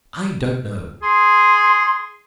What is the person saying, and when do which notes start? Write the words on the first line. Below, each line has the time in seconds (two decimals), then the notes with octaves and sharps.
I don't know.
1.03 G#4 C6